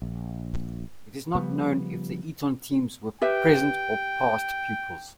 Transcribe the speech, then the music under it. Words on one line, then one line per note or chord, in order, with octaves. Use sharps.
It is not known if the Eton teams were present or past pupils.
A#1
C#3 F3 G3 B3
G4 B4 E5 G5